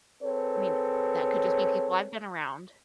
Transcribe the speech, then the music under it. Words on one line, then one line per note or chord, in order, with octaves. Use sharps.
I mean, that could just be people I've been around.
C4 G#4 A4 B4 C#5